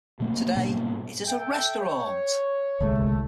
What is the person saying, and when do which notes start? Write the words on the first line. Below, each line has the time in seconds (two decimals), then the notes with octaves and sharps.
Today it is a restaurant.
0.20 B2 F#3 A3 A#3
0.55 G#2 B2 G3 A#3
1.27 A4 E5 G5
1.80 C#5
2.80 D1 C2 G#3 A3